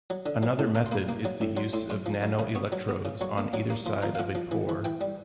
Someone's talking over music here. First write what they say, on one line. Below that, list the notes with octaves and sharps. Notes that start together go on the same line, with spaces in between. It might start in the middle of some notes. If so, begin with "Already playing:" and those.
Another method is the use of nanoelectrodes on either side of a pore.
F#3
D3
F#3
A2 A5
A#3 A#5
C6
A#3 B5
A#3
F#3
A2
F#3 C6
A2 C6
F#2 C6
F3
F#2
C#3
B3 C#6
F#3
B3
C#3
F#3 C#6
A#3
F#3
A#3
F3 C6
F3 A#5
F5
F3 F#5
F3
E3
E3
E3 G5
G3